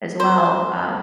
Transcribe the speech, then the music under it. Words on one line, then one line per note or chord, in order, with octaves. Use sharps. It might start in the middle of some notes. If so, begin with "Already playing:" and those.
as well, um
C5